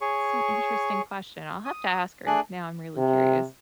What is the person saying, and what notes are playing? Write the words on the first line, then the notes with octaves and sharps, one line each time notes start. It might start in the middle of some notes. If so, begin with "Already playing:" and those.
it's an interesting question. I'll have to ask her, now I'm really curious.
G#4 C#5 C#6
D#6
A3 D4 G#4 D5 G#5 F#6
C3